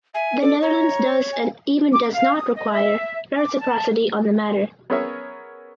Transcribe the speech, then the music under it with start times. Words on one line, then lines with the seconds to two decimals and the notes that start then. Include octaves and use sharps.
The Netherlands does and even does not require reciprocity on the matter.
0.14 E5 G#5
0.42 A4 D5
0.62 C#5 A#5
1.33 G#5
1.93 D6
2.14 F5
2.35 D#6
2.55 D#5
2.73 E5
3.36 D6
3.59 A5
4.90 B3 C#4 G#4 A#4 C#5 E5